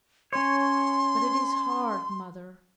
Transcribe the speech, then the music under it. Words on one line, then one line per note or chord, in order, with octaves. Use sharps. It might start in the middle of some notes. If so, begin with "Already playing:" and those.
But it is hard, mother.
C#4 C#5 C6